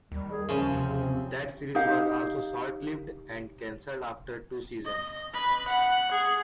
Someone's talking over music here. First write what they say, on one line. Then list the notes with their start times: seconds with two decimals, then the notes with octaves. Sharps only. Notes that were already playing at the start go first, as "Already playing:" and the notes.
That series was also short-lived and cancelled after two seasons.
0.12 D#2 G3
0.32 G#4
0.49 C#3 F3 G#4
0.71 C3
0.97 C4
1.75 D#4 G4 F5
4.85 D#5
5.34 B4
5.69 F#5
6.12 G#4